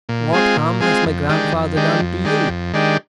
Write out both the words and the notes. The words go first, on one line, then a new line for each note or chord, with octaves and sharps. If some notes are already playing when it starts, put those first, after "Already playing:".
What harm has my grandfather done to you?
A#2
G#3 C4 F4 G#4
A#2
G#3 C4 F4 G#4
F2
D#3 G#3 D4 G4
F2
D#3 G#3 D4 G4
F2
D#3 G#3 D4 G4
F2
D#3 G#3 D4 G4